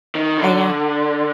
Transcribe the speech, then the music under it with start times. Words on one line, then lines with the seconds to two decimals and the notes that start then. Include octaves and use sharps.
I know.
0.15 D#3
0.38 D3